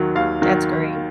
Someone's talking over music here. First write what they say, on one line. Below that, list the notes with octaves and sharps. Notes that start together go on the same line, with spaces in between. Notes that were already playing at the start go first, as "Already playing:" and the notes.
That's great.
Already playing: D#2 D#3 F#3
D#2 F5
D#3 F#3